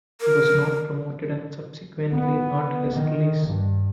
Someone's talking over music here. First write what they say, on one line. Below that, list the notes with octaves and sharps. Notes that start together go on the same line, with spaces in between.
He was not promoted and subsequently earned his release.
A#4
B3
D#3
G2